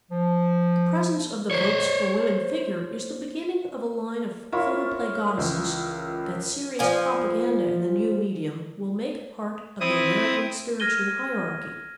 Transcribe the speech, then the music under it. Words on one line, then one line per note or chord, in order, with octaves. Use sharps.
The presence of the "Votes for Women" figure is the beginning of a line of photoplay goddesses that serious propaganda in the new medium will make part of the American Spiritual Hierarchy.
F3
C5 C#5
E4 F4 A#4 C#5
C#2 E3
F3 G#5
C4 E4 D#6
F6 G#6 A#6 D#7 G7